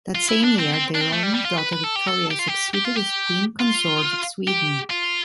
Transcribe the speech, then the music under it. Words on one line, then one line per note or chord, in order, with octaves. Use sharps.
That same year, their only daughter Victoria succeeded as Queen consort of Sweden.
F4
E4
D4
C4
C4
D4
C4
A3
G3
G3
F4
B4
B4
A4
G4
A4
G4
F4
G4
G4
F4
G4
F4
G4
F4